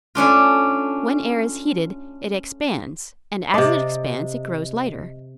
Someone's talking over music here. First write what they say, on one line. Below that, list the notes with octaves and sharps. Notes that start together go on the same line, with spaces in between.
When air is heated it expands, and as it expands it grows lighter.
A3 C#4 D4 F4
C3 D5 D#5